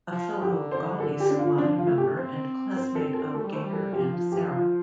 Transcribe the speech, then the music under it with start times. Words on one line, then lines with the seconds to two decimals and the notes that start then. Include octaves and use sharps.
A fellow Gauli Squad member and classmate of Gainer and Sara.
0.12 F3
0.41 D3 G4
0.71 C5
1.00 A4
1.20 G4
1.30 D4
1.38 F4
1.58 F3 D4
1.78 F4
1.88 A3
1.98 G4
2.17 C4 C5
2.76 C5
2.95 A4
3.14 A4
3.34 A3 A4
3.44 G3
3.53 A3 C5
3.63 G3
3.73 A4
3.93 F3 G4
4.12 F4
4.32 G4
4.51 F4